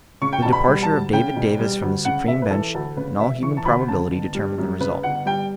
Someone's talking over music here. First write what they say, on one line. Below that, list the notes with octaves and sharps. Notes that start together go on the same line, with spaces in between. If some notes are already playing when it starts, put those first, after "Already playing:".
The departure of David Davis from the supreme bench in all human probability determined the result.
C#3 C#6
G5
E1 A5
B5
G3
A5
D2
C#3 G5
E1
G3
D2
C#3 F#5
E1 E5
B4
E3 A4
D2 A4
C#3 B4
E1 E5
E3 C#6
A5
D2 B5
C#3 A5
G1
G3
F#2
C#3 B4
G1 F#5
G3 G5